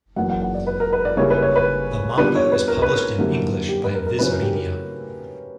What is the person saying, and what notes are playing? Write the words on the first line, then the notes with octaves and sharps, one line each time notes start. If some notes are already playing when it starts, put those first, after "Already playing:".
The manga is published in English by Viz Media.
F#2 E3 A#3 F#5
F#5
F#5
D5
B4
A#4
B4
D5
C#3 G3 A#3 E4 C#5
B4
C#5
B4
A#2 G3 B3 D4 B4
C#5
B4
A#4
B4
A#4
F#2 D3 G3 A#3 E4
G4
B4
A#4
A#4
C#3 F#3 C#4 E4 B4
A#4
G4
A#4